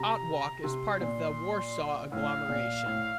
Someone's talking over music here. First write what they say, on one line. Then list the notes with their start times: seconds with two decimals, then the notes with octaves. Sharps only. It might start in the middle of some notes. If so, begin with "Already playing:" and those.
Otwock is a part of the Warsaw Agglomeration.
Already playing: C3 A#5
0.64 C3 C6
1.01 A#2
2.12 A2 F5
2.49 A#2
2.86 A2